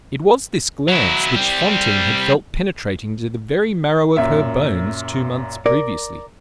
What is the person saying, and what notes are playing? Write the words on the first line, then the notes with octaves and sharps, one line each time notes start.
It was this glance which Fantine had felt penetrating to the very marrow of her bones two months previously.
F#3 E4
G3 C4
F#2 A#2 E5
A#4 D5